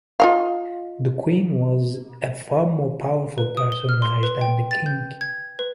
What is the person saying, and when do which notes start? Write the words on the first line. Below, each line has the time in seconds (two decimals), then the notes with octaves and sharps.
The queen was a far more powerful personage than the king.
0.20 F4 D#5 F5
3.38 B4
3.57 D#6
3.72 G7
3.89 F6
4.02 C6
4.23 B4
4.41 G5
4.71 A6
4.86 G6
5.21 G#6
5.59 B4